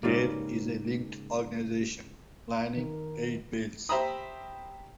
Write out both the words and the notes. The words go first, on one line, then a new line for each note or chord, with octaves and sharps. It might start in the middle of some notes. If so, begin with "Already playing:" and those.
There is a linked organisation, Planning Aid Wales.
G#2 C#3 G3 A#3
D#3 A#4
G4 C5 E5 A#5 B5 D#6